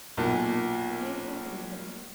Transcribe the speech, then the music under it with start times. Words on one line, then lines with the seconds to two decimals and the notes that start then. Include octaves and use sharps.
'Behave properly, then.'
0.17 B1 A#2 A5